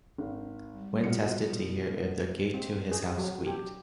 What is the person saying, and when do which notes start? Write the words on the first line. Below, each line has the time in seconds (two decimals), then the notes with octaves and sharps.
Quinn tested to hear if the gate to his house squeaked.
0.18 G#1
0.71 G3
1.04 B2 F4 C#7
2.54 C4
2.92 G#4
3.18 F#3
3.47 G4